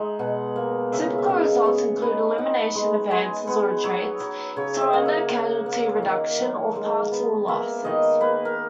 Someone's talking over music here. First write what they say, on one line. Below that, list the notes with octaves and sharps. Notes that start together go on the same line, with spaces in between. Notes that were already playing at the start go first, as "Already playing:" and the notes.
Typical results include elimination, advances or retreats, surrender, casualty reduction, or partial losses.
Already playing: G#3 D#4 E5
B2 F#5
A#3
C#3 E5
E5
C#3 D#5
B3 C#5
D#4 B4
D#4 F#5
G#3
G#3 G#5
B3 F#5
F#3 C#5
F#3
C#3 C#5
D#5 E5
A#3 F#5
E5
A#3 F#5
A#3
D#3
F#3
G#3
B3
A#3 E5
D#3 D#5
A#3 B4
A#4